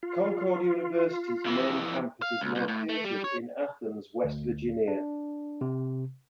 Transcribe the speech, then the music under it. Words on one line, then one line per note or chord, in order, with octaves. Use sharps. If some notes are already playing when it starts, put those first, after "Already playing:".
Concord University's main campus is located in Athens, West Virginia.
F4
F2 E3
F5
C#2
C2
A2
A3
G3
C#5
D2
D4
C3